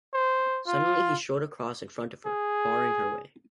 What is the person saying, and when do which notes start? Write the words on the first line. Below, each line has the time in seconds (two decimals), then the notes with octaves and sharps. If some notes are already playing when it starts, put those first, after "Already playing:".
Suddenly he strode across in front of her, barring her way.
0.14 C5
0.67 F4
2.26 G#4